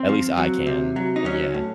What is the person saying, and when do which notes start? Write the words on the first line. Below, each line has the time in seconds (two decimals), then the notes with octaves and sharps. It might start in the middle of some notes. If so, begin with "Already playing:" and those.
at least I can, and yeah.
Already playing: C4
0.09 F3
0.37 F#3
0.67 C3
0.96 F#3
1.16 D#4
1.25 F#3 C#4
1.54 A2